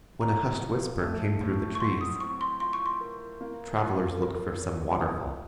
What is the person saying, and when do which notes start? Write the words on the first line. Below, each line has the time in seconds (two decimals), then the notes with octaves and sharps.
When a hushed whisper came through the trees, travellers looked for some waterfall.
0.21 A2 A#5
0.61 F3
1.01 A3
1.41 A2
1.75 C#6
1.80 F#3 C6
2.01 D#6
2.20 C4 C#6
2.41 C6
2.60 F4 C6
2.73 C#6
2.86 C6
3.00 A#4
3.41 A#3
3.80 F4
4.20 A#4
4.60 C#5
5.00 A#2 D#6